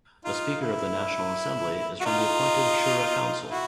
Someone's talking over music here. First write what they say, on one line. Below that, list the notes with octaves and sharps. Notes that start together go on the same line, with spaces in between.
The speaker of the National Assembly is from the appointed Shura Council.
D#4 F4
E4
F#4
D#4 F4
E4 F#4